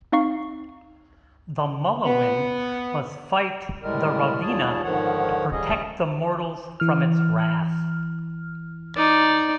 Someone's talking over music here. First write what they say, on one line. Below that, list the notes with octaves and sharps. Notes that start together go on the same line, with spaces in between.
The "Mulawin" must fight the "Ravena" to protect the mortals from its wrath.
C4 D#4 F5 C#6 C7
B3
A2 G3 G#3 A#4
D#2 A#2 G3 G#4 C#5 A5
G#2 D3 D#3 F3 C#5 F#5
C#3 G3 C#4 G#4 D#5
E3 F6
D#4 D5